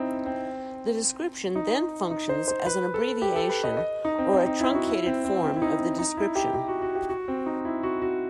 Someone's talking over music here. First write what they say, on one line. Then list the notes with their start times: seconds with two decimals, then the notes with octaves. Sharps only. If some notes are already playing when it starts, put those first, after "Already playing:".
The description then functions as an abbreviation or a truncated form of the description.
Already playing: C4 D#4 E4
0.26 C4
1.55 D#4
2.11 D#4
2.29 C5
2.48 C5
2.66 B4
2.94 A4
3.22 G4
3.36 A4
3.49 B4
3.64 D#5
3.77 D#5
4.05 D#4
4.18 C4
4.33 C4
4.46 D#4
4.60 E4
4.74 F#4
4.88 E4
5.06 C4
5.25 C4
5.43 C4
5.56 E4
5.62 D#4
5.80 C4
5.99 D#4
6.17 E4
6.35 G4
6.54 G4
6.68 F#4
6.82 F#4
6.95 G4
7.09 F#4
7.28 C4
7.46 D#4
7.65 E4
7.83 F#4
8.02 F#4